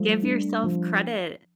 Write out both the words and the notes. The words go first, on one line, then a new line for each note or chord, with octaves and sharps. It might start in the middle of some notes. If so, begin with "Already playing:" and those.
Give yourself credit,
Already playing: F3 G3 A3
D4
F3